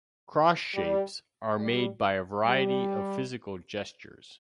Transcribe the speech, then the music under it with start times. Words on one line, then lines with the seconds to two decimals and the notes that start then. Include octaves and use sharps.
Cross shapes are made by a variety of physical gestures.
0.75 G3
1.60 G3
2.45 G3